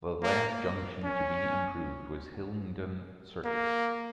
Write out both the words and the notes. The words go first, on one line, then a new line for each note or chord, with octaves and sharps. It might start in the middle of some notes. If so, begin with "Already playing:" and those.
The last junction to be improved was Hillingdon Circus.
A#3
C#4
A#3